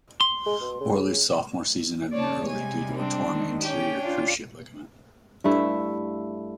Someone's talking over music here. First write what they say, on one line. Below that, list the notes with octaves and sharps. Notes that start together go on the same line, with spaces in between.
Worley's sophomore season ended early due to a torn anterior cruciate ligament.
C6
G#3
B2
C#3
C#3 A#3 C#5 D5 A5
C3 G3 G#3 G#5
C4 D4
D#3 G#3
C#4 G4 G5
D4 F4
G2 A3 E4